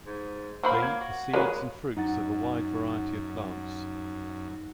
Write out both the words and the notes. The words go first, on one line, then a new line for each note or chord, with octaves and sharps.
They eat the seeds and fruits of a wide variety of plants.
G#2
F#3 A#3 C5 B5
G#6
F#4
G#3 A#3 F#4 B4 C#5
F#2 D#4 F#5 A6